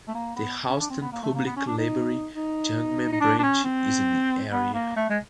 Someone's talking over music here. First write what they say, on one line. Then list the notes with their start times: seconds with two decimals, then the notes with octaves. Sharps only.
The Houston Public Library Jungman Branch is in the area.
0.08 A3
0.15 A#3
0.36 B3
0.69 C#4
0.80 D4
0.90 C4
1.02 B3
1.12 A#3
1.23 A3
1.35 A#3
1.46 B3
1.57 C#4
1.67 D4
1.78 D#4
2.33 D#4
3.12 D#4
3.21 D4
3.39 D4
3.43 C#4
3.64 C4
4.52 B3
4.74 A#3
4.96 A3
5.09 G#3